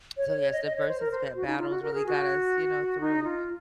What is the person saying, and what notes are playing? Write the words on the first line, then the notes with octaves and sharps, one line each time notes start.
So, yes, the versus bat battles really got us, you know, through,
C#5
C#5
C#5
D#5
D#5
C#5
C5
A#4
C5
F#4
D#4
F4
F#4
A#4
G#4
F#4
D#4
F4